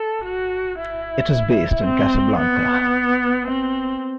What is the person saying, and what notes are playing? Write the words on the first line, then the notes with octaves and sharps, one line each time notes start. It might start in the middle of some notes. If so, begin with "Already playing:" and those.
It is based in Casablanca.
Already playing: A4
F#4
E4
C4
B3
C4